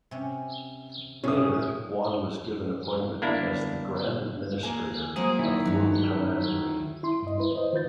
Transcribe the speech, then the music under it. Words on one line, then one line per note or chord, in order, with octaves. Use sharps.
Later, Yuan was given appointment as the Grand Administrator of Wu commandery.
C3 C#4
A2 C3 C#4 G#4 D#6
D3 G3 A#3 B3 D4 E4
A#3 G#4
F#3 A#3 G#4 C5
D#3 E4
G2 F#3
E4 C6
G2 D#5
E4 B4
C5 D#5
D#3 F4 B4 G6 A6